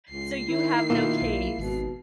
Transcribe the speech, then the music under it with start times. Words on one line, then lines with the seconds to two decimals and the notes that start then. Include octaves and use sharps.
So you have no case."
0.10 C#2 C7
0.48 D#3 E4
0.90 B2 A#3 E4 F4
1.21 B1
1.58 G#1 B2